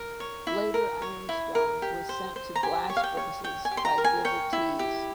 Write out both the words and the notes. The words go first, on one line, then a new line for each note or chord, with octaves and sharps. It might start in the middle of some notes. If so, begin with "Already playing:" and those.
Later ironstone was sent to blast furnaces by the River Tees.
Already playing: A#4
C#5
E4
A#4
C#5
E4
A#4
G4
C5
C5
A#5
G4 G#5
C#5
F5
G5
C#5
C#5 G5
G#5
G4
C6
A#5
A#4
G#5
C#5 G5
E4
G4